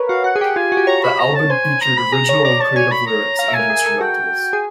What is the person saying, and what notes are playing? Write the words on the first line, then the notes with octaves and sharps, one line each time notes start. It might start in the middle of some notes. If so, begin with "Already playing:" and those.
The album featured original and creative lyrics and instrumentals.
Already playing: A#4 B4 C#5
F#4 F5
F#4 F#5
G#4
G4
F4 G#5
F#4
G4
C#5 A#5
B5
A#5
A5
C5 G#5
A#5
B5
G#4 A#5
C#5
D5 A#5
C#5 A5
C#5 G#5
B5
A#5
F5 A#5
E5
G#5
A#4
G#4
A4
F#4 G5
G#4